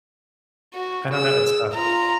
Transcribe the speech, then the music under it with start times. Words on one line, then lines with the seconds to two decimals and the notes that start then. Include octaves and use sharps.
I don't know. It's tough.
0.74 F#4
1.14 G#4 E6
1.75 F4 A#5